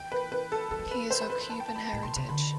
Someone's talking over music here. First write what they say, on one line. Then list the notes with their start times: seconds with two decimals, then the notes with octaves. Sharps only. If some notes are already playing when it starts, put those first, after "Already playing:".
He is of Cuban heritage.
Already playing: E3 G5
0.12 B4
0.32 B4
0.52 A4
0.71 E3 A4
0.79 F3
0.86 E3
0.91 B4
1.11 C5
1.22 C5
1.30 B4
1.42 B5
1.50 A5
1.60 G5
1.69 A5
1.76 B5
1.93 A2
2.03 B2 C6
2.16 C3
2.29 D3 B5